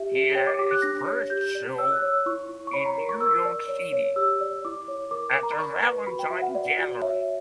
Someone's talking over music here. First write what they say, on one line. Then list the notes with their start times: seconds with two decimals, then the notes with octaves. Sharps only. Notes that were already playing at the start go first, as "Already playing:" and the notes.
He had his first show in New York City at the Valentine Gallery.
Already playing: G4 E5
0.12 G4
0.35 C#5 G5
0.47 D6
0.59 G4 D6
0.71 F#6
0.82 D4 A#6
1.06 C#5
1.30 G4 G6
1.55 D5
1.78 C#5 E6
1.92 F#6
2.02 C#5 E6
2.26 E4 C#6
2.49 E4
2.67 C#6
2.73 C#5 B5
2.86 A#5
2.98 A#4
3.09 C#6
3.21 A#4 E6
3.45 D5
3.68 C#5
3.92 C#5
4.16 G4 E6
4.41 D5
4.65 E4 D6
4.88 C#5
5.11 A#4 D6
5.36 A#4
5.43 A#5
5.52 B5
5.59 D5 C#6
5.83 B4
6.07 F#4 B5
6.19 G5
6.30 F#4 E5
6.42 F#5
6.55 D5
6.78 F#4
7.02 C#5 E5